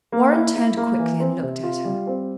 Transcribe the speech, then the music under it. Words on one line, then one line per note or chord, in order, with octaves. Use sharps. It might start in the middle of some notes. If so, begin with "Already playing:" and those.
Warren turned quickly and looked at her.
A#3
E4
E4
A#3
E3
C4
C3
F4
G3
C4